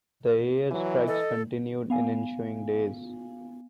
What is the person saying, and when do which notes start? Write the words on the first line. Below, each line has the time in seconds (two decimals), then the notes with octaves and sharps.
The air strikes continued in ensuing days.
0.71 E3 F#3
1.08 A4 D#5
1.90 B3 F5 G#5